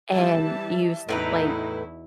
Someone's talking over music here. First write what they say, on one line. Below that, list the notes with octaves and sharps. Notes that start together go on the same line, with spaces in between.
and you s like,
E3 G3 E5 A5
E2 A2 D#4 E4 F#4 B4 A#5